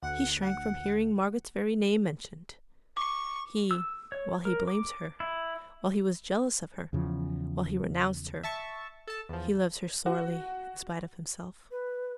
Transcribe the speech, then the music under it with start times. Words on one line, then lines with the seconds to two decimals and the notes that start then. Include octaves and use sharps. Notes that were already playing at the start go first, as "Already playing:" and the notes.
He shrank from hearing Margaret's very name mentioned; he, while he blamed her--while he was jealous of her--while he renounced her--he loved her sorely, in spite of himself.
0.03 D2 F#5
0.42 F#5
2.97 C#6 D6
3.71 E6
4.12 C#5
4.45 A#4
4.68 D6
5.20 E4
6.93 E2 C#3 F3
8.43 E5 A5 C#6
9.07 A4 A5
9.29 E2 F3
10.06 F#4
11.71 B4